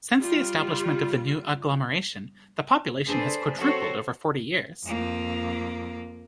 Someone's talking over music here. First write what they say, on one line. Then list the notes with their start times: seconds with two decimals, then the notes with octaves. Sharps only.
Since the establishment of the new agglomeration, the population has quadrupled over forty years.
0.19 G3 F4
3.08 D4 G#4 A4 B4 C5
3.58 C4 F#4 A4 C5 C#5
4.85 F2 A#3